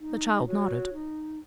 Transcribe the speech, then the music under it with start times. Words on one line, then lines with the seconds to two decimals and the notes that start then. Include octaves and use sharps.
The child nodded.
0.01 D#4
0.47 F#4 C#5
0.93 D#4